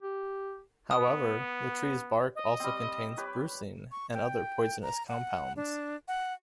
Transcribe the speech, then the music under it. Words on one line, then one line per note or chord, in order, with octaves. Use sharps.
However, the tree's bark also contains brucine and other poisonous compounds.
G4
B3 D#6
D#5
G3 C4
G4 B4 C#5
C#6
G5
A#5
F#5
D4
F#5